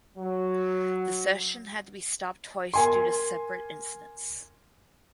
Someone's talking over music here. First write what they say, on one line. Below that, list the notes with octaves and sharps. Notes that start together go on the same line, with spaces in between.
The session had to be stopped twice due to separate incidents.
F#3
A#4 G#5 C6